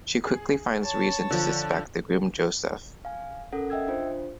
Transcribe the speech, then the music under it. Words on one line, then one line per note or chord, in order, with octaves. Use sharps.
She quickly finds reason to suspect the groom Joseph.
G#4
C#5 A5
D3 F3
F5 G#5
C#4 A4 A#4 F#5
D#5 E5 G5 E6 G#6
D4 F4 C5